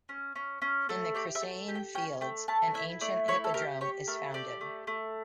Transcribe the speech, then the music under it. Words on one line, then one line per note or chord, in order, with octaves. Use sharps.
In the Crisaean fields, an ancient hippodrome is founded.
C#4
C#4
C#4
A3
G4 D5
E5
A3
G4
G5
C#4 G5
A3 G5
A3 A5
E4 E5
A3 D5
E4 C#5
A4
G4 A#4
G4 C#5
A3 A#4
G4 D5
A3
A3